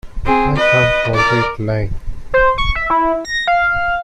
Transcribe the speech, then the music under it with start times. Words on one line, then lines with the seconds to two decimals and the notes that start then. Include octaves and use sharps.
I can't tolerate lying.
0.25 C4 G#4
0.56 B4 D#5
1.14 A#4 D5
2.34 C5
2.58 C#6
2.76 E5
2.90 E4
3.25 A#6
3.48 F5